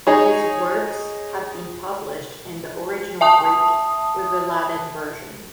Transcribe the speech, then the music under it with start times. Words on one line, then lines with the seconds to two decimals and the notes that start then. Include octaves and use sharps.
His works have been published in the original Greek with a Latin version.
0.07 D#4 G#4 C#5
3.21 E5 A5 D#6